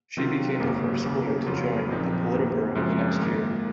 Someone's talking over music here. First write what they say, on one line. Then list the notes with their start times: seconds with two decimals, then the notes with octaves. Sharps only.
She became the first woman to join the Politburo the next year.
0.17 C3 D#3 F#3 C4 F4
0.60 G#1 F#2 C#3 F#3 A#3
1.03 D#2 C#3 F#3 A#3
1.46 F2 C#3 F#3 A#3 F4
1.89 A#1 A#2 F3 C4 D#4
2.33 F#2 D#3 A#3
2.75 F#2 C#3 F3 G#3 C4
3.20 G#2 D#3 A#3